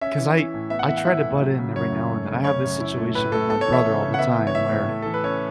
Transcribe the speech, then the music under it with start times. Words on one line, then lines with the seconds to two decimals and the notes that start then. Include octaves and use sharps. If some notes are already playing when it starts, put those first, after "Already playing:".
'cause I I try to butt in every now and then. I have this situation with my brother all the time where
0.01 C#4 E5
0.18 E3
0.36 E4
0.54 A2
0.70 B3 E5
0.79 F#5
0.88 E3 E5
0.98 F#5
1.05 E4 E5
1.23 A2
1.41 F#3
1.58 C#3
1.76 F#2 C#5
1.92 F#2
2.10 A3
2.28 C#3
2.44 C#4 C#5
2.63 F#2
2.81 E4
2.98 A3
3.15 A2 B4
3.32 A2 A4
3.49 B3 A4
3.61 C#5
3.66 E3
3.73 E5
3.85 C#3
4.03 C#3
4.14 F#5
4.19 B3 E5
4.37 E3
4.47 C#5
4.54 A2 E5
4.72 A2
4.89 A3
5.02 E3 A4
5.14 B4
5.24 C#4 C#5